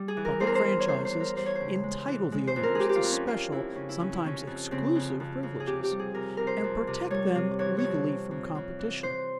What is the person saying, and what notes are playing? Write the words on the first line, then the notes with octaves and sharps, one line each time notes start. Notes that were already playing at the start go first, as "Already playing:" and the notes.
Public franchises entitle the owners to special, sometimes exclusive, privileges, and protect them legally from competition.
Already playing: G3
G#4
E3
A#4
E2 C5
A#4
C5
E2 A#4
C#5
E2 C5
C5
E3
A#4
G3 C5
C#5
C5
C#3
G#3
E3
G#3
C5
F2
A#4
F2 G4 G#4
G4
F4
F2
C#4
F2 F4
F2 E4
C#3 C#4
E4
F2 C#4
E4
F2 C#4
F2
C#3 C4
F2
F2
F2
G#4
C3 G4
G4
G3
G#4
C3 A#4
C3 A#4
C5
F2
C3
G3 C#5
C3
E3 C#5
F2 C#5
F2
F2
F2
E3
E3 C5